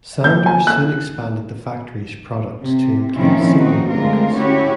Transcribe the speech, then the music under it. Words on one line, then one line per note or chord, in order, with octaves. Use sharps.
Sander soon expanded the factory's products to include signal rockets.
G6
G#5
F#6
C3
A#2 D#3 F3 C4 C#4 E4
A#3 C4 D#4 F#4
D3 G#3 A3 C4 F4 A#4
C#4 E4 F#4 G4 C#5